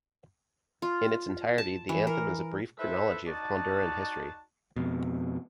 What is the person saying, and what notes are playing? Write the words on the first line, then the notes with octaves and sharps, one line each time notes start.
In its entirety, the anthem is a brief chronology of Honduran history.
F4
A5
E3
A#4
E4 A4 B4 C5 E5
D#4 F#4 D5 D#5 A5
F2 B2